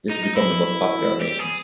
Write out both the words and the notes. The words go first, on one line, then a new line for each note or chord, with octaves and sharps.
This has become the most popular arrangement.
D#4
D#4
E4
G4
G#4